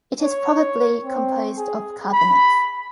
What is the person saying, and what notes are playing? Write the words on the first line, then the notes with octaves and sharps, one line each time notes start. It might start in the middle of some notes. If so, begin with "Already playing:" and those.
It is probably composed of carbonates.
C#5
C4
G#4
B5